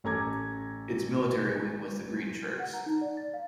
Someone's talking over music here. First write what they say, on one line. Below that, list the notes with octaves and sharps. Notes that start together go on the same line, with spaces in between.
Its military wing was the Greenshirts.
A1 C#4 A4 A#5 D6 G#6
F6
F#5
A#5
D#4
D5
A6
F5